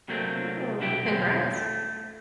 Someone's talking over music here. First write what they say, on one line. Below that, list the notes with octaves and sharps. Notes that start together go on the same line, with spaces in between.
Ooh, congrats.
C3 F#3 A3 A#3 C4 D4
B1 D4 F#4 E5 G5
E2 B2 D3 F#3 C4 C#4
A3